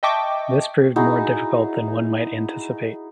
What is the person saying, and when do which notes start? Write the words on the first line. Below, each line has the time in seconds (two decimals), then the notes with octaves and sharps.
This proved more difficult than one might anticipate.
0.03 D#5 E5 G5 A5 C#6 D6
0.96 D#4 E4 F#4 G#4